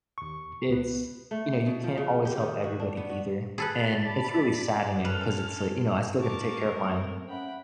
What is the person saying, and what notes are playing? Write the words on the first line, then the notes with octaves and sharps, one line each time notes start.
it's, you know, you can't always help everybody, either. And it's really saddening 'cause it's like, you know, I still gotta take care of mine.
D#2 C#6
C#2 B3 B4
A3
B2
F3
C#3
G4
D#3
F#4
D4
B3
F#4
G#4 A4 B4 A5 B5
D5
C#4 A4 B4 F6
G2 A#4 A5 C#6 D6
A3 A#3 C4
C#4 E5 F#5 G5 B5